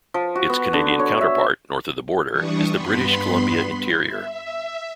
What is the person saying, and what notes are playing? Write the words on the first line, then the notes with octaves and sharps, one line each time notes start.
Its Canadian counterpart, north of the border, is the British Columbia Interior.
F3
F#4
B3
D3
C#5
E5
E3 G3 D4 C#6 D#6
G2 B3 B5 C6 B6
E5